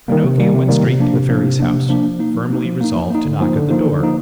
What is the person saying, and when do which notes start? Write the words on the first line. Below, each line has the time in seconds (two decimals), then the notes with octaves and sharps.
Pinocchio went straight to the Fairy's house, firmly resolved to knock at the door.
0.08 D#3 G3 A#3
0.24 C3
0.38 D#3 G3 A#3
0.54 C3
0.68 D#3 G3 A#3
0.83 C3
0.99 F3 A#3 D4
1.13 C3
1.29 F3 A#3 D4
1.43 C3
1.60 F3 A#3 D4
1.74 C3
1.89 F3 A#3 D4
2.04 F3
2.19 A#3 D#4
2.35 F3
2.50 A#3 D#4
2.65 F3
2.81 A#3 D#4
2.95 F3
3.10 A#3 D#4
3.25 D3
3.41 F3 A#3 D#4
3.56 D3
3.70 F3 A#3 D#4
3.85 D3
4.00 F3 A#3 D#4